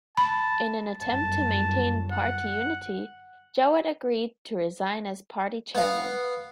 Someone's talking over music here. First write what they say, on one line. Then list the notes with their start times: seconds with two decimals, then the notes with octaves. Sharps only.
In an attempt to maintain party unity, Jowett agreed to resign as party Chairman.
0.17 A5 B5
1.01 G1 F#2 A5
2.11 F#5
5.75 B3 F5